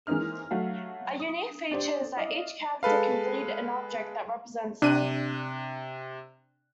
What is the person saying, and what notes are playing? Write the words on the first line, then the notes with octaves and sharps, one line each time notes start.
A unique feature is that each character can "bleed" an object that represents them.
E3 G#3 A#3 C4 D#4 F6
F#3 A3 F#4 F5
D#6
D4 G4 C5 D5
E4 D5 D#5 F5
G#3 A4 B4 F5
C3 D4 F#6 D#7